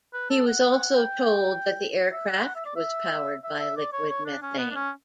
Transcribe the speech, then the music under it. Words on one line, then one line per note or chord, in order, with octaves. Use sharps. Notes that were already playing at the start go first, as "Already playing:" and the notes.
He was also told that the aircraft was powered by "liquid methane".
B4
A4
F#5
G5
E5
F#5
F#5
E5
D5
E5
E5
E5
D5
C#5
C#5
D4
C#4
B3
D4
C#4